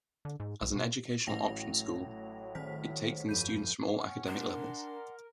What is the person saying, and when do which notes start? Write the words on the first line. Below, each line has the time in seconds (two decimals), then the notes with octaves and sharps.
As an educational option school, it takes in students from all academic levels.
0.25 D3
0.40 G#2
0.62 B1
0.76 B2
1.27 A1 A2 F#3 G5 A#6 F7
2.55 D#3 C5 B6
3.29 G1 F2 B5 G6 D#7
3.97 C#4 F#5
4.27 D4 A#4 D5 G#5 C6